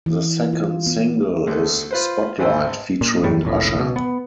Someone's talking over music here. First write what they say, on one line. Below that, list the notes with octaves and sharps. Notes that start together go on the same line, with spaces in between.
The second single is "Spotlight" featuring Usher.
E3
F4
B3
D2 A3
F4 B4 C5
G#1 B4 C5 G5 G#5 E6
A#2
F#2 A2 G3
F1 A#1 A2
B2
B3